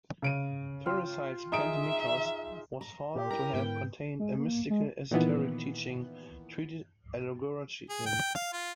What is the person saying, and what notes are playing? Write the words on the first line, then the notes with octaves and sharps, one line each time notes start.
Pherecydes' "Pentemychos" was thought to have contained a mystical esoteric teaching, treated allegorically.
C#3 D7 D#7
F4 G5
D#4 G#4 E5 D#6 D7
A#5
A#2 G4
E4 A#4 A#5
G#2 D3 B3 G5
G#3
A#3
G#3
A#2 D#3 E3 B3
G#4
G5
F5
F4